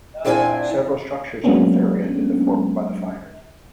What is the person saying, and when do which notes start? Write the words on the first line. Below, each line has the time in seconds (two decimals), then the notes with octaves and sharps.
Several structures on the ferry had been deformed by the fire.
0.25 A#2 C4 D4 E4 D5 G#5
1.44 F#3 G#3 A#3 B3 C#4 D4